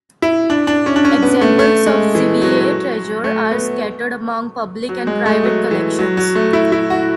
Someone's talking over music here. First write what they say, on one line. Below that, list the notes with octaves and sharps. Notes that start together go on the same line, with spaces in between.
Examples of the "Ziwiye Treasure" are scattered among public and private collections.
E4
D4
D4
C#4
D4
C#4
B3
A3
A3
G#3
E3
F#3
A3
B3
F#3
G#3
A3
F#3
E3
F#3
F#3
A3
E4
E4
F#4